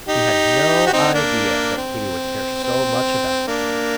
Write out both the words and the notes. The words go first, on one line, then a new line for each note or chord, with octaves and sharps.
He had no idea that Katy would care so much about it.
D#4 G4
F#4
C4 D#4
A#3 D4
C4
C4
A#3 D4